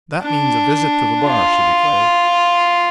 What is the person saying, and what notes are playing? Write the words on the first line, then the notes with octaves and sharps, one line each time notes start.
"That means a visit to the bar!" she declared.
D4
F4